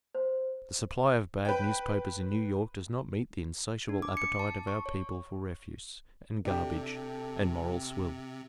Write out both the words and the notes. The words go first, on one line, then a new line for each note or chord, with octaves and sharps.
The supply of bad newspapers in New York does not meet the insatiable appetite of our people for refuse, and garbage, and moral swill.
C5
B4 G5
D4
D6
C#7
A5
C#6
C#5
C3 D4 G4 A4